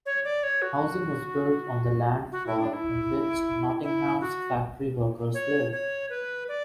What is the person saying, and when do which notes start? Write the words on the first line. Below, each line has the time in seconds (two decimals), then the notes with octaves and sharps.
Housing was built on the land for in which Nottingham's factory workers lived.
0.06 C#5
0.24 D5
0.43 C#5
0.62 F#4
2.32 F#4
2.47 E4
2.60 D4
2.73 E4
3.83 E4
4.21 F#4
5.34 C#5
5.72 C#5
6.10 B4
6.48 D5